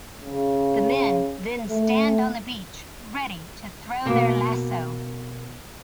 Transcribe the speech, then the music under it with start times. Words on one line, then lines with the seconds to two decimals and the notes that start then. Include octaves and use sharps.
The men then stand on the beach ready to throw their lasso.
0.22 C#3
1.70 A3
4.06 B2 A#3